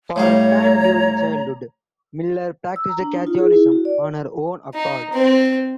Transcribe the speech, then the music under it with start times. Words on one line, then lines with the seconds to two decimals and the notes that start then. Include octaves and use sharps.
For a time during childhood, Miller practiced Catholicism on her own accord.
0.16 A2 G3 C#5 F5 A#5
2.76 E6
2.89 A#5
3.01 D4
3.14 D#4
3.27 F4
3.39 G#4
3.53 E4
3.72 F#4
3.85 D5
4.75 D#4
5.13 C4